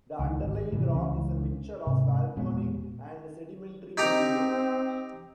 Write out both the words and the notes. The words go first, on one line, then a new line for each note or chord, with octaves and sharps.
The underlying rock is a mixture of volcanic and sedimentary material.
C#2 D#3
G#1
G#2 C3 E3 G3
C#2 E3 C#4
G#2 C3
E1 A#2 G#3 B3
C4 D#4 G4 A#5